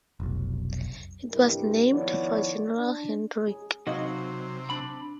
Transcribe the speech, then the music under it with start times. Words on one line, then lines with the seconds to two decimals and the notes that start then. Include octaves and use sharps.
It was named for General Hedrick.
0.20 F1 B1
1.32 G2 C3 G3 E4 A#4
1.90 D#3 F3 B3 E4 C#5 D5
2.78 D4
3.48 G#4
3.87 C3 F#3 D#4 F#4 D#5 F5
4.70 D4 B5